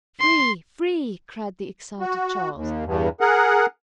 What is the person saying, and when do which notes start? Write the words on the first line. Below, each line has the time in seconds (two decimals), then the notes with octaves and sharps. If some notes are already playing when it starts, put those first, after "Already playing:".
"Free! free!" cried the excited Charles.
0.20 C6
2.00 F#4
2.55 D#2
2.85 E2 G2
3.21 G#4 A#4 F#5